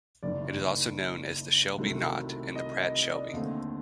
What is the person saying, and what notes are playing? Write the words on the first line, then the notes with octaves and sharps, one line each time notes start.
It is also known as the Shelby knot and the Pratt-Shelby.
F#1 F#2 D#3 D5
C2 C3 D#3 F#3 A3
D#5
D#5
D5
D#2 D3 A3 C4